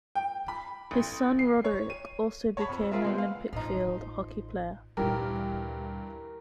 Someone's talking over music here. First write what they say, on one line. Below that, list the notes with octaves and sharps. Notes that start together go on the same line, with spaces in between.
His son Roderik also became an Olympic field hockey player.
G5
B5
A1
C7
C#5
D#7
C#5 A5 B5 C#6
F2
F4 G#4 A#4 E5
G#3 B3 C4
F5
A1 F3 D#4
D2 G2 A#2 E3 G4 A#4